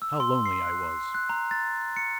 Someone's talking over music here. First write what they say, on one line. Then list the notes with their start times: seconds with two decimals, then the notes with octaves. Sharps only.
How lonely I was!
0.02 E6
0.20 C6
0.46 C7
0.65 F#6
1.15 F#6
1.29 A#5
1.51 A6
1.96 C#7